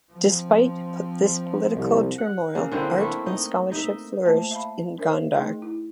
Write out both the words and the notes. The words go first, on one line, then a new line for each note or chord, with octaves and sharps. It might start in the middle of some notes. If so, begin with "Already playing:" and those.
Despite this political turmoil, art and scholarship flourished in Gondar.
F3 C4
C2
F#5
C#3 A#3
D3 A#3 C4 E4
A3 A#3 E4
D#4
D#4 E5
A3 A#3 F4 C5 E5 A5
E5 F5 A5 B5
D4 A#4 C5 D5 E5
A3 D#4 G#4 D#5 G5
E4